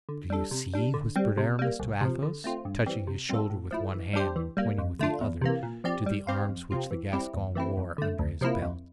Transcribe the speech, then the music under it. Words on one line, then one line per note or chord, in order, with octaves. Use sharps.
"Do you see?" whispered Aramis to Athos, touching his shoulder with one hand and pointing with the other to the arms which the Gascon wore under his belt.
D3
G3 D4 A4
C3
G3 D4
D3
G3 C4
C3
G3 A#3
C2
C3 F3
D3
A3 C4 F4
G2
E3 G3 C4
C3
G3 C4 F4 A4
A2
F3 A3 E4
E3
G3 D4 G4 C5
E3
G3 A#3
F2
D3 A3 D4 F4
E2
C3 E3 A#3
A#2
F3 C4 G4 D5
G3
C4 G4 C5 F5
F2
C3 F3 C4 F4
E3
G3 C4 E4 G4
E2
E3 A3 C4 E4
F2
D3 A3
D2
C3 F3 A#3 E4
F2